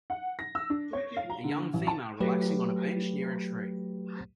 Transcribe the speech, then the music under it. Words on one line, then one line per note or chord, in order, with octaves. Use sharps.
A young female relaxing on a bench near a tree.
F#5
A#6
E6
D4
C#5
F5
A#5
D3
A1
A5
F#3 A3 G4 B4